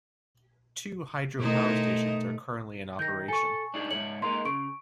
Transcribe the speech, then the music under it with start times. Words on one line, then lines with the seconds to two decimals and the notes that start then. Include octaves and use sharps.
Two hydro power stations are currently in operation.
1.39 B2 D#3 A3 D#4 E4 C5 D#5
2.99 D#3 G6 A#6
3.28 A4 G#5 C#6
3.74 D4 D#4 G#4
3.91 G#2 F3 C#5 F#7
4.22 G#3 A#3 D#4 C6
4.45 C#3 C#6 D7